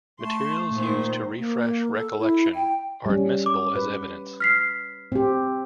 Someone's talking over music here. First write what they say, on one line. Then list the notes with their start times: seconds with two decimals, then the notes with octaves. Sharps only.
Materials used to refresh recollection are admissible as evidence.
0.21 A3 A5 C6
0.71 A#2 D#3 C5
1.38 A#3
1.94 A4
2.19 E4
2.55 G5
3.06 G3 C#4
3.46 D6
3.75 B4
4.40 F6 B6 C7
5.12 C4 G4